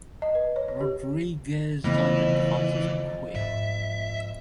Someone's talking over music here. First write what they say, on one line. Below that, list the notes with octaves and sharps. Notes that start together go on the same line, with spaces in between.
Rodriguez identifies as queer.
D#5
B4
C#5
C#5
G4
F2 C#3 E3 A3 B3
G#2 E5